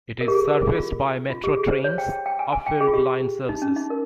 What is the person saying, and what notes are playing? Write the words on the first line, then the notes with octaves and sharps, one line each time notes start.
It is serviced by Metro Trains' Upfield line services.
A#4
G4
G#4
A#4
G#4
F4
F4
G4
G#4
C5
C#5
G5
G5
G5
G#5
G#5
G5
G#4
F4
G4
D#4
C#4
D#4
A#4